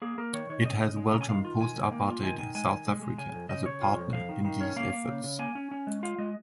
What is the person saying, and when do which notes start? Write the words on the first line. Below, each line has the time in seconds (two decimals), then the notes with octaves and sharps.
It has welcomed post-apartheid South Africa as a partner in these efforts.
0.02 A#3 G#4
0.18 A#3 A#4
0.33 D#3 C#5
0.50 D#3 C#5
0.65 C#3 D#5
0.81 C#3
0.97 G#3
1.12 C#3 A#5
1.21 G#5
1.28 D#3 F5
1.45 F4
1.60 D#3 G#5
1.76 D#3
1.92 A#3
2.08 F4
2.23 D#3 G#5
2.39 D#3 G#5
2.55 G#3 G#5
2.71 D#3
2.87 G#3
3.03 G#3
3.18 C#3 G#5
3.34 F2
3.49 C#3 D#5
3.65 C#3 C#5
3.82 F4
3.97 F2
4.13 F2 F5
4.29 D#3
4.45 D#3
4.61 C#4
4.76 A#3 F5
4.92 A#3
5.08 C#3
5.24 C#3
5.39 A#3 G#5
5.55 C#4
5.71 C#4
5.87 G#3
6.03 F4 F5
6.19 G#3 D#5